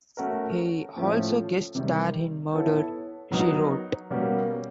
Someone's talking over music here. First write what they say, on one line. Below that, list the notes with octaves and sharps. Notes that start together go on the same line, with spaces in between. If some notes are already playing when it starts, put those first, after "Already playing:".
He also guest starred in "Murder, She Wrote".
A3 C#4 F#4 A#4
A2 F3 A3 C#4
C3 D#3 G3
B3 E4 A4 C#5
F#3 B3 D#4 F#4 A#4
B2 G3 A#3 C#4 F#4